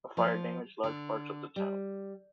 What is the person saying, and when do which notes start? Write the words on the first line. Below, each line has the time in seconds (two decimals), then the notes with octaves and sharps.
A fire damaged large parts of the town.
0.17 F3
0.83 D3
1.56 G3